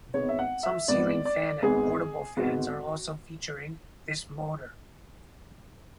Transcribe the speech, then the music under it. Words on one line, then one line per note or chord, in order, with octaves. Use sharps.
Some ceiling fan and portable fans are also featuring this motor.
G#1 G#2 G#3 B3 C#5
E5
F#5
E5
G#1 G#2 G#3 B3 D5
D5
G#1 G#2 G#3 B3 G#4
G#1 G#2 G#3 B3 F#4